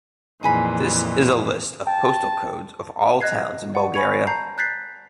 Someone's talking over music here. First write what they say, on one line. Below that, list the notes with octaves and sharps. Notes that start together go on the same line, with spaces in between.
This is a list of postal codes of all towns in Bulgaria.
F2 A#2 E3 D#4 G#4 B5
G5 A5
D#5 F#6 G#6 C7
D5 F#5 C#6
G#5 B5 C#6 G#6 C#7 F7
A5 A#5 G6 C7
F#6 G6 A6 B6 C7